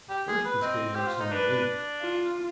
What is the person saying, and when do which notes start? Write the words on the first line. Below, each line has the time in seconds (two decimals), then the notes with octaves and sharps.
At first this gave him some relief.
0.09 G4
0.28 G#4
0.45 B4
0.62 C4 D#5
0.95 G4 C5
1.07 F4
1.20 D#4
1.32 D4 B4
2.02 F4